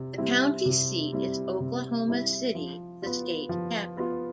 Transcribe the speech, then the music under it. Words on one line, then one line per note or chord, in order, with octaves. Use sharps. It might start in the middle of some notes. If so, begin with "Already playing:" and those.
The county seat is Oklahoma City, the state capital.
Already playing: C3
G3 C4 E4
C3
G3 C4 E4
C3
G3 C4 E4
F3
B3 F4
F3
B3 F4